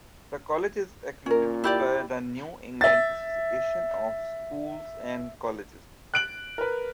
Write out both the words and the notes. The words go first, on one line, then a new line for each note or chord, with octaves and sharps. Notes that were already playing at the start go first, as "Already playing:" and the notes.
The college is accredited by the New England Association of Schools and Colleges.
A#2 C#4 A#4
E4 G4 D5
E5 A6
F#6 D7 F#7
A#4 B4